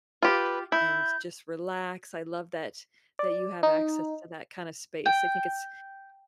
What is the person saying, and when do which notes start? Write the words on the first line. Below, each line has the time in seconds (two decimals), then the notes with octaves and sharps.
and just relax, I love that that you have access to that kinda space, I think it's
0.22 F4 G4 B4
0.72 E4 G6
3.19 D5
3.63 D#4
5.06 G5